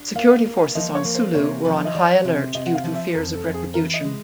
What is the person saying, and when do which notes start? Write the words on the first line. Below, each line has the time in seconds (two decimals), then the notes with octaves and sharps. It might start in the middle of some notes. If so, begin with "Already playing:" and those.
Security forces on Sulu were on high alert due to fears of retribution.
Already playing: D4
0.15 A#3 F5
0.46 A#3
0.75 F3 D#5
0.95 C#5
1.05 A#3
1.15 C5
1.35 C3 C#5
1.65 F3
1.85 D#5
1.95 F3 D5
2.24 C3
2.54 C3 D#5
2.66 F#5
2.75 F5
2.84 F3
2.94 E5
3.14 F2 A#4
3.34 A4
3.44 F2
3.54 G#4
3.74 E3 A#4
3.94 D#5
4.04 G#3